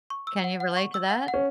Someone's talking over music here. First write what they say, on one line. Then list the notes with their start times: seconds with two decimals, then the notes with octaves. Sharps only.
Can you relate to that?
0.10 C#6
0.27 E6
0.44 F#5
0.60 F#5
0.77 C#6
0.94 E6
1.10 F#5
1.28 F#5
1.34 C#4